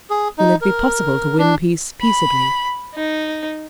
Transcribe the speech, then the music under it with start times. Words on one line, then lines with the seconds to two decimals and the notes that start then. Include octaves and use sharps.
Will it be possible to win peace peaceably?
0.10 G#4
0.38 D#4
0.61 A#4
1.38 D4
2.01 B5
2.95 D#4